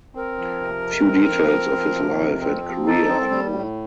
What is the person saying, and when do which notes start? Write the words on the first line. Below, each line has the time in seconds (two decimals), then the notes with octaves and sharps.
Few details of his life and career are known.
0.15 C4 A#4
0.38 F3
0.61 C3
0.83 F2
1.06 C4
1.28 F3
1.50 C4
1.73 F3
1.95 C3
2.17 F2
2.41 C4
2.63 F3
2.86 D#4 A4
3.08 C4
3.30 G3
3.53 A2